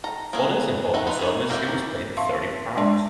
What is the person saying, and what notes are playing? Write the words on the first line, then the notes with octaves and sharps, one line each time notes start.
For this important service he was paid thirty pounds.
A4 A#5
A#3 B3 C#4 E4 G#4
A3 D#4 B4 E5 F#5
D#4 F4 B4
G#4 A#4 C5 C#5
A#3 E4 F#4 G4 A#4
E5 F5 A5 C6 C#6
G#3 D4 D5 E5 A5 C6